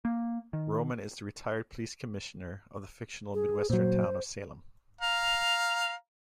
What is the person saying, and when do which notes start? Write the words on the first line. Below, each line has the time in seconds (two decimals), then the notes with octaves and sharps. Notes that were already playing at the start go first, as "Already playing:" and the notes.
Roman is the retired police commissioner of the fictional midwestern town of Salem.
0.05 A#3
0.53 D#3
3.34 G#4
3.70 A#2 F#3 C5
5.01 F5 A#5